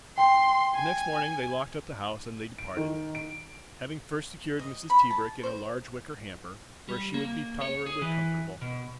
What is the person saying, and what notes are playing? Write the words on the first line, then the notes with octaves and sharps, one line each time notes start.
The next morning they locked up the house and they departed, having first secured Mrs. Tebrick in a large wicker hamper where she would be tolerably comfortable.
G5 C6
G#5
D7
D#3
D7
D#5
B5
A5
C5
G3
A#3
C#5
G#4
E3
B2